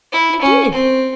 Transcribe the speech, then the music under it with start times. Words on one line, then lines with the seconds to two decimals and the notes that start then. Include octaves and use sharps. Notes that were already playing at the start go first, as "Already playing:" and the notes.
"He did."
0.13 E4
0.42 C#4
0.72 C4